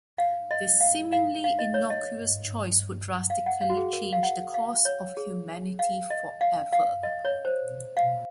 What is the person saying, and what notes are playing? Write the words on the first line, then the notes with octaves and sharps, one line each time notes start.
This seemingly innocuous choice would drastically change the course of humanity forever.
F5
D#5
F5
F5
F5
D#5
C#5
D#5
F5
F#5
F5
F#4
G#4
A#4
F5
F#5
F5
C#5
G#4
F5
D#5
F5
F5
D#5
C#5
C5
F5